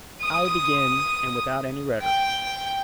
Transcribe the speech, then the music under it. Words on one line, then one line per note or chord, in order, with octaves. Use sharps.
"I begin, and without any rhetoric."
D#6
G5